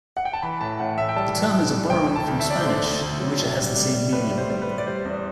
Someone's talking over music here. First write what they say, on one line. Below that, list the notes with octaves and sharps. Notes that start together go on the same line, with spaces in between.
The term is a borrowing from Spanish, in which it has the same meaning.
F#5
G5
A5
E3 B5
A2 A5
A2 F#5
A2 E5
G5
G3 A5
E3
E3
G3
D2 G5
D2 G5
A5
D2
E5
D3 D5
D3 C5
D5
D2
D2
F#3
A2
G3
G3
G3
A2 B4
G3
C5
G3
B4
G3
D5
G3 C5
E2